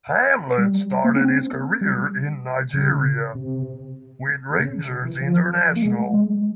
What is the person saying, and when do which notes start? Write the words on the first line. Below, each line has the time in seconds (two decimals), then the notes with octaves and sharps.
Hamlet started his career in Nigeria with Rangers International.
0.58 G3
1.04 A#3
1.16 C#4
1.20 C4
1.81 G3
2.74 C#3
3.35 C3
4.59 C#3
5.05 E3
5.20 F3
5.76 A#3
5.82 G#3
6.14 G#3